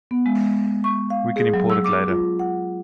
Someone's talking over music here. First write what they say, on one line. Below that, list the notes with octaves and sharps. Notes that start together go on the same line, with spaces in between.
We can import it later.
B3
G#3
C#6
F5
G#4
F#3
E6
D6
F4
F#5